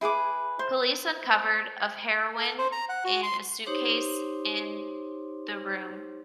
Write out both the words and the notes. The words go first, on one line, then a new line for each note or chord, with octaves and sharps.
Police uncovered of heroin in a suitcase in the room.
E4 G#4 B4 D6
C5
A4
C5
A#5
F#5
F#4
C6
D#4 G4 C5 C#5 C6 D6